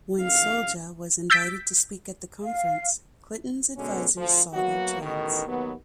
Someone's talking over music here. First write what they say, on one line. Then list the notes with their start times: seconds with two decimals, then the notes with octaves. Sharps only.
When Souljah was invited to speak at the conference, Clinton's advisors saw their chance.
0.22 F5
1.30 E6 G6 A6 B6 D7
2.43 F5
3.76 B2 D3 G#3 B3 C#4
4.17 D2 F3
4.54 F#3 A#3 B3 F#4
5.02 A1 B2 D#3
5.48 D#2 F#3 B3